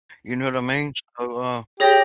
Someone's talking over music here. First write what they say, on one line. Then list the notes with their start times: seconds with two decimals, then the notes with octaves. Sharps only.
you know what I mean? So, uh,
1.80 G4 G#4 C#5 A#6